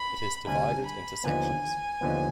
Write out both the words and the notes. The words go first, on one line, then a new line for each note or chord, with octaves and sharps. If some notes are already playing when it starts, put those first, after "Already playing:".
It is divided into sections.
Already playing: B5
D2 C3 G3 D4 G#5
B5
D#2 D3 F3 B3 G#5
D#2 D3 F3 B3